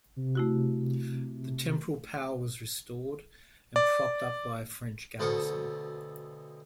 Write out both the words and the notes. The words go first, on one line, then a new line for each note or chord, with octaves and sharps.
The temporal power was restored and propped up by a French garrison.
C3
A3 E4 F#4
D5
D2 B2 A4 C5 C#6 D#6